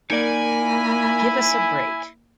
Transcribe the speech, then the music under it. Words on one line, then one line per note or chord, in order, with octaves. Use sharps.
Give us a break.
A#3 D#4 A#4 D5 G#5 B5
E4